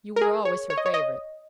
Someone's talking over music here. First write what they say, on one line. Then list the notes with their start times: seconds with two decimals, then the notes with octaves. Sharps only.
You were always her favourite.
0.16 A#4
0.21 G#4
0.45 C#5
0.70 C#5
0.77 D#5
0.86 C#5
0.94 D#5